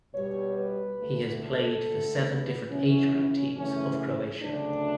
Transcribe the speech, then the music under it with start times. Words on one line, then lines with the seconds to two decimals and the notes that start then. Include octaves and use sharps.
He has played for seven different age group teams of Croatia.
0.14 B2 G3 C#5
0.57 B4
1.00 D2 D3 A3
1.43 A4
1.85 D2 D3 A3
2.28 B3
2.71 F#2 C#3 E3 C#4
3.56 F#2 C#3 E3 A3 C#4
4.42 D2 C#3 F#3 A3 D4